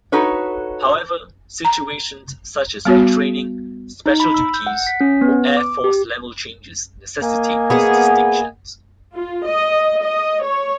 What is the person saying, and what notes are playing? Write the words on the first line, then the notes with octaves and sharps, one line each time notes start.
However, situations such as retraining, special duties, or Air Force-level changes necessitate these distinctions.
D#4 F#4 A4 B4 C#5
A#5
G3 B3 F#4 C#5
D#4
B5
E6
G6
F#5
B6
C#4
B3
D6
G4
A#3 D#5 G#5
B3 G#4
F4
D#5
D#5
C#5